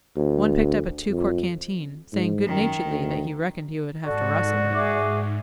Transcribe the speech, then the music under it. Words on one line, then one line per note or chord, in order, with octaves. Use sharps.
One picked up a two-quart canteen, saying good-naturedly that he reckoned he would have to rustle it.
D2
F2
G#2
F#2 D#3
D2
G#2 F#4 A4 D5
G#4 E5 D6